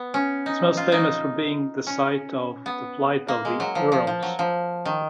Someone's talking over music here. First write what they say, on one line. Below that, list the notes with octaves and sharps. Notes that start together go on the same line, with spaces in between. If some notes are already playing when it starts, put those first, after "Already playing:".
It is most famous for being the site of the Flight of the Earls.
Already playing: B3
C#4
D#4
F4
D#4
C#4
B3
A#3
G#3
F#3
F3
F3
F3
F#3
F3
D#3